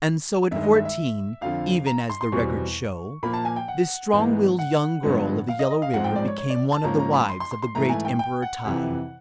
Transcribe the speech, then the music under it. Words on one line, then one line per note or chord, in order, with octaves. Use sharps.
And so at fourteen, even as the records show, this strong-willed young girl of the Yellow River became one of the wives of the great Emperor Tai.
G2 D#3 G#3 E5
D#5
E5
E5
F2 D3 F3 F5
A#5
C6
C6
E2 B2 G3 C4 C#6
A#2 F3 A#3 B5
A5
G#5
G5
F#5
G#2 E3 G#3 B3
F#5
G2 D3 F3 G#3 B3
F5
D#5
D#5
F5
G#2 F3 G#3 C4 F#5
G5
D5
C#5
C#5
D5
A5
G#2 F3 A#3 C#4 A#5
A#5
B5
C6
C6
C6
C6
G#2 E3 A3 A#5
G#5
G5
G5
F#5
F2 C3 E3